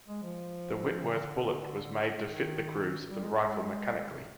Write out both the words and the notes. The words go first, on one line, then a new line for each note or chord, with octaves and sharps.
The Whitworth bullet was made to fit the grooves of the rifle mechanically.
G#3
F3
C3
D3
D#3
G3
G#3
G#3
G3
G#3
C3